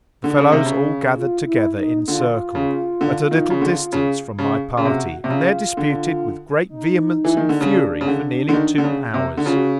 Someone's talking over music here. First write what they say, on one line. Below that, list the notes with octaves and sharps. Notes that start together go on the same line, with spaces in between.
The fellows all gathered together in circle, at a little distance from my party, and there disputed with great vehemence and fury for nearly two hours.
D3
C#3
C3
C#3
F4
E4
D#4
D3 F4
C#3
D3
D#3
C#3
D3
C#3
C#3
C#3
C3 F#4
C3
C#3 F4
D3
D#4
E3
D#3
D3
C#3 D4
C#3
D3
D3
D#3
D3
C#3
C3
D3
C#3 F4
F#4